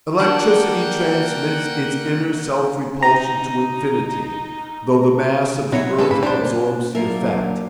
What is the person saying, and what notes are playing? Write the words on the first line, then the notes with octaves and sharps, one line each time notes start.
Electricity transmits its inner self-repulsion to infinity, though the mass of the earth absorbs the effect.
A#3 D4 F#5 G5
D#4 A#5
A#2 F#3 D#4 E4 C#5 C#7
G#3 G#4 A4 B4 A5
G#2 A#3 B5
D4 D#4 C5
A#3 C#4
F#3 A#3 D4 F4 A#4 E5